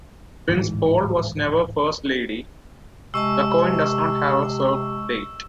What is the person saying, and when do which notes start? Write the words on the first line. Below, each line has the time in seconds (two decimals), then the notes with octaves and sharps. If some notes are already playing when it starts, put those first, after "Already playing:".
Since Paul was never First Lady, the coin does not have a served date.
0.49 D1 G#2 E3
3.14 C3 G#3 D#5 A5 C#6 E6